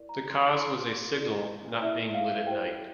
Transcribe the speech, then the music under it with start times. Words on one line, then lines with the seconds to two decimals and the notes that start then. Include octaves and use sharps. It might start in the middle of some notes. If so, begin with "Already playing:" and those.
The cause was a signal not being lit at night.
Already playing: E4 A#4 D5
0.09 A#5
0.30 C6
0.52 E4 A#4 D5 C6
1.17 E4 A#4 D5
1.82 E4 A#4 D5 E5
2.15 F5
2.47 E4 G4 C5 G5